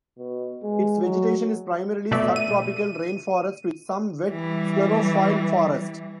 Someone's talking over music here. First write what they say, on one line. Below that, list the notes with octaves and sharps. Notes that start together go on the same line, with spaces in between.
Its vegetation is primarily sub-tropical rain forest with some wet sclerophyll forest.
B2
G#3
F#3
B2 A3 D5 E5
D#7
E3 G3